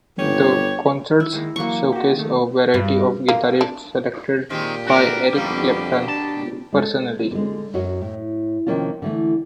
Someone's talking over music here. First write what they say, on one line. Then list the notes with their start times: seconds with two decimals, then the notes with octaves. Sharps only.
The concerts showcase a variety of guitarists, selected by Eric Clapton personally.
0.18 G1 G4 C#5
1.20 E4
1.33 D#3 G#3 A#3
1.56 E3 F#3 A#3 C#6
1.92 F#4 G4
2.16 D#3 A3
2.74 G2
3.28 A#3
3.61 D4
4.50 A#2 D#3 G#3 C4 G4
4.86 D3 G3 F#4 A#4
5.33 F2 B2 D3 G3 A#3
6.08 D4 A5
6.73 G#3 A4
7.31 D3 G#3
7.74 F#2 F#3 F#4 D#5
8.02 A2
8.67 C3 D#3 F3 A#3 C#4 F4
9.02 D3 E3 A3